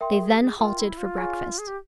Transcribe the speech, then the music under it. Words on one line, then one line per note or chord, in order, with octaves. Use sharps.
They then halted for breakfast.
A#4 E5 G5 C6
G#4
G4
G#4
F4 A#4 E5 G5 C6
E4
F4
G#4 C#5 F5 G#5 C#6
G#4
G4